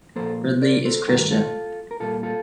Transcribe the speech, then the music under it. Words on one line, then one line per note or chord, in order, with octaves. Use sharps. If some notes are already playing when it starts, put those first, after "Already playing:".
Ridley is Christian.
A#2 F3 A#3 A4 C5
A#4 D5
A4 C5
G2 D#3 A3 G4 A#4
F4 A4
A#4
A#2 G3 A#3 F4 A4
F4 A4